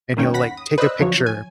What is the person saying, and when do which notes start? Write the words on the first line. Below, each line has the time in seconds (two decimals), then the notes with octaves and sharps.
and he'll, like, take a picture,
0.17 G1 D#2 D#3 C#4 C#5 G5
0.34 F#5 B5 A#6 B6
0.57 D#6
0.78 B4 C5 D5 D#5 E6 F#6
0.99 E2 D3 F3 F#3 C#5
1.26 G#5